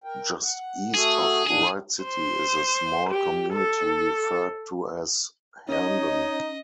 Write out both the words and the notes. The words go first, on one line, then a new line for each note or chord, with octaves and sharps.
Just east of Wright City is a small community referred to as Herndon.
A#4 G5
F#5
A3 F#4 G#4 A4
F2 A2 D4 G#4
C5
G4
A4
C#4 D#4 C#5 D#5